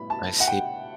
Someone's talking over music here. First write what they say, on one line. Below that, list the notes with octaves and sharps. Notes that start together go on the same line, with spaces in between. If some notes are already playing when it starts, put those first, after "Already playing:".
I see
Already playing: A2 G3 B3 B5
A5
F#5
G5